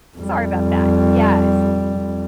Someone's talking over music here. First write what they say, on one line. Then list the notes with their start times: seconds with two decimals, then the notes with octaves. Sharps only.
sorry about that, yes.
0.18 F2 G3